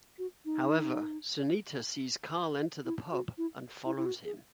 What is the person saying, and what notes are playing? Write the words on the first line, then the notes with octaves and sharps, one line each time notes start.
However, Sunita sees Karl enter the pub and follows him.
F#4
D#4
E4
F#4
E4
E4
E4
F#4
G#4